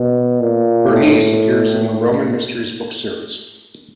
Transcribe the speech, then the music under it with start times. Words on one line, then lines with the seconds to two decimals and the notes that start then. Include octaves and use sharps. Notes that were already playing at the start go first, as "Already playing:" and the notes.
Berenice appears in the Roman Mysteries book series.
Already playing: B2
0.40 A#2
0.88 A2